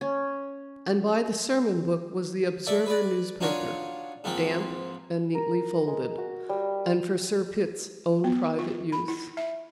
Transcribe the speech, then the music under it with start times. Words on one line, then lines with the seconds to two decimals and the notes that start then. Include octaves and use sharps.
And by the sermon-book was the Observer newspaper, damp and neatly folded, and for Sir Pitt's own private use.
0.01 C#4
2.67 A4 D5 E5
2.86 B4 D5
3.41 D4 D#4 F4 F#4 C#5
4.24 G#2 F3 A#3 C4
5.35 A#4
5.87 G#3
6.18 F#4
6.49 G3
8.24 B3
8.59 F4
8.92 B5
9.08 E4
9.37 E5